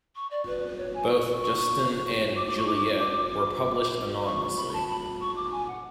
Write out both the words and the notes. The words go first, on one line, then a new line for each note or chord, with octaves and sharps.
Both "Justine" and "Juliette" were published anonymously.
C#6
D5
B4
B4
C#5
G#5
C#6
C#6
D6
D6
C#6
D6
D6
D6
C#6
B5
A5
B5
C#6
D6
G#5
F#5